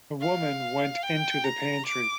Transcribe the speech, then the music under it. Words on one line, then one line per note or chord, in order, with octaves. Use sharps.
The woman went into the pantry.
F5
G5
A#5
D6